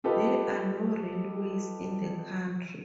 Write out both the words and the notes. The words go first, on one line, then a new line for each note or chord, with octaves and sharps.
There are no railways in the country.
F4 G4 A4 B4 D#5